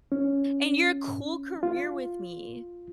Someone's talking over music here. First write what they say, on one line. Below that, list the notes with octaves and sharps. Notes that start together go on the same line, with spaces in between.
and your cool career with me.
C#4
F4